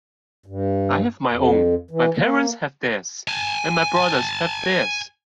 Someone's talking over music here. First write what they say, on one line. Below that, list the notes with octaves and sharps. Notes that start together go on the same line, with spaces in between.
I have my own, my parents have theirs, and my brothers have theirs.
G2
F2
E3
A#3
G#5 A5